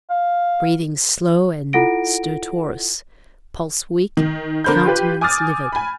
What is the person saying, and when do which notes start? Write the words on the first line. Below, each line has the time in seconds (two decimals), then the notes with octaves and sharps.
Breathing slow and stertorous, pulse weak, countenance livid.
0.10 F5
1.73 E4 F4 A4 F#5 A#6 D7
4.17 D#3
4.64 D3 A#4 C5 B5 G6
4.85 F4 G4 B4
5.21 G#5 D6 D#6 F6 A6
5.72 G#5 B5